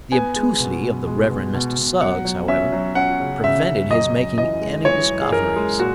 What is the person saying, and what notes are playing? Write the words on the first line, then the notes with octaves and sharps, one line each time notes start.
The obtusity of the Reverend Mr. Suggs, however, prevented his making any discoveries.
B3 G#5
G#3
B2
B2
G#3
B2
B2
B2
F#3 F#5
F#3
C#4 E5
F#3
C#4 F#5
C#3
C#3 E5
C#3
F#2 D#5
F#2
E3 D#5
G#3
E3 C#5
F#2
G#4
F#2 A#4
G#3
A#2 F#4